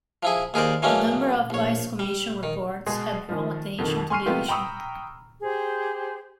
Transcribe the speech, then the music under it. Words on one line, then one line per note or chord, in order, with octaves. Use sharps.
A number of Vice Commission reports had drawn attention to the issue.
F3 E4 G#4
D#2 G#4 A#4 C5 D5
E3 F#3 G#3 A#3 C#4 D4
A#1 C#5
G3
D#3
B2 G#3 G#4
D#3 F3
F2 B2 D#3
G#5 C6 C#6 F6 C7 D#7
C3 G#3 A3 B3 F4 G4
G5 A#5 B5 C#6 D#6 E6
G4 G#4 C5